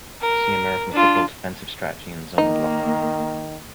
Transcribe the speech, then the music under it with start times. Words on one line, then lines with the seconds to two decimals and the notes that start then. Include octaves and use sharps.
See American football defensive strategy and zone blocking.
0.21 A#4
0.91 D4 F4
2.38 D#3 A#3 D#4